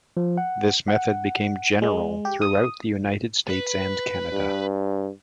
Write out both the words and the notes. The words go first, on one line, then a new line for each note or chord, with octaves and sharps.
This method became general throughout the United States and Canada.
F3
F#5
F#5
G#3
G4
D#6
B4
G2